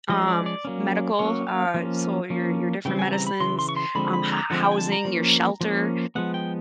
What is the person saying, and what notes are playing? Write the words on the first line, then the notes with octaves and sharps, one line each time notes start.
um, medical, uh, so your your different medicines, um, h housing, your shelter.
F3 G#3 C#4 D#5
D5
D5
F#3 A#3 C#4
F#3 A#3 C#4 C#5
F5
F3 A#3 C#4
F3 A#3 C#4
C#3 E3 G3 C4 G5
G#5
A#5
B5
C#3 E3 C6
C6
C#6
C6
D3 F3 G#3 C4 B5
B5
A#5
D3 F3 G#3 C4 F#5
G5
G#5
A5
A#5
F3 A#3 C#4
F3 A#3 C#4
F3 G#3 B3 F#5
G5